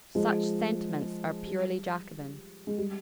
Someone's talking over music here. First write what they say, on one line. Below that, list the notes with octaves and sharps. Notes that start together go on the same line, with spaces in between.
Such sentiments are purely Jacobin.
F3 G#3
G3
G#3
G3